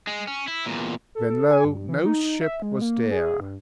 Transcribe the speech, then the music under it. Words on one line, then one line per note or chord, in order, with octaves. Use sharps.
When lo! no ship was there!
G#3
C#4
E4
E2 A#2
A4
A4
G#5
G2
E3
D#4
D#4
E5
G#3
A#3
G#4
G2